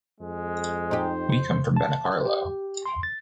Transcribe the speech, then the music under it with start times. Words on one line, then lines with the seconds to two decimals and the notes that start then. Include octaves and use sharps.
We come from Benicarló.
0.20 F2 G#3
0.91 D#4 G4 C5
1.76 A5
2.26 G4
2.86 C6
3.03 A6